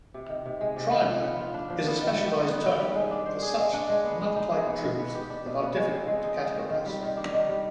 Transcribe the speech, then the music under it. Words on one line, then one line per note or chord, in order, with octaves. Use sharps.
Tryma is a specialized term for such nut-like drupes that are difficult to categorize.
C3
D#3
C3
G#3
C3
D#3
F3
B3
F4
D4
F3
B3
D#3
G3
D#4
B3
D#3
G3
G#3
D4
C5
G#4
G#3
D4
G#3
B3
G#3
D#4
G#3
B3
B2
B3
G4
D4
B2
B3
G#3
C4
G#3
D#4
G#3
C4
D#3
G3
D#3
D4
D#3
G3